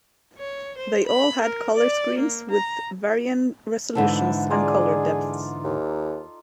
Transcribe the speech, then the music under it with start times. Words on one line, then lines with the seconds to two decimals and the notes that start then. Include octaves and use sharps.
They all had color screens with varying resolutions and color depth.
0.38 C#5
0.78 C5
1.07 B5
1.41 A#4
1.75 D5
2.19 A#3
2.51 A#5
3.95 G#2 D3 E3 E4 A4
4.50 D#4 F4 G#4 D5
5.64 D#2